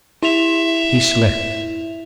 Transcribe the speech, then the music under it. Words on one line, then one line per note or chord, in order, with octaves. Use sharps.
He slept.
E4 E5 F7